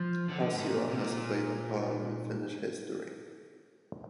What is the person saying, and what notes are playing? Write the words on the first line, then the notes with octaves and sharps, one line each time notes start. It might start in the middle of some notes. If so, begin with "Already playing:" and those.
Husula has played a part in Finnish history.
Already playing: F3
D3
G#2
A#2
C3
A#2